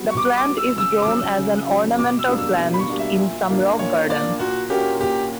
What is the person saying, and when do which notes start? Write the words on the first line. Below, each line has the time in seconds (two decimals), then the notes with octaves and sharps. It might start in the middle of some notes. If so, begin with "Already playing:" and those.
The plant is grown as an ornamental plant in some rock gardens.
Already playing: G3 B3 F#4
0.10 C#6
0.17 G3 D6
0.37 D6
0.48 B3 F#4
0.57 E6
0.78 C#3 E6
1.02 D6
1.08 F#3 C#4 E6
1.38 C#3
1.68 F#3 C#4
1.98 B2 D6
2.19 E6
2.28 G3 A#3 D4
2.38 E6
2.59 B2
2.73 B5
2.79 C#6
2.89 G3 A#3 D4
2.99 E5
3.19 A#2
3.50 A#3 D4
3.79 A#2 C#5
4.09 A#3 D4 D5
4.39 A#2 F#4
4.70 A#3 C#4 F#4 G4 A#4
4.99 A#2 G4